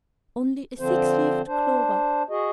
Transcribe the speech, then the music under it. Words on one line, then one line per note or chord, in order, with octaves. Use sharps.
Only a six-leaved clover!
D3 F3 C4 C5
D4 C5
F#4 G#4 D#5